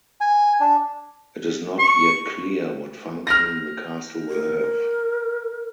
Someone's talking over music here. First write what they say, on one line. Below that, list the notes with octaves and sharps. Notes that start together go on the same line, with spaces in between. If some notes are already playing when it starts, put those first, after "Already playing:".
It is not yet clear what function the castle will have.
G#5
D4
C#6
F6 A#6
A#4